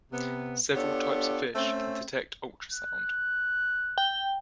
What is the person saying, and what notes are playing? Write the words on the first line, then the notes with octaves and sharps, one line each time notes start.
Several types of fish can detect ultrasound.
C3 B3
B3 D4 F4 G4 A4 C#5
A3 C4 C#4
F#6
G5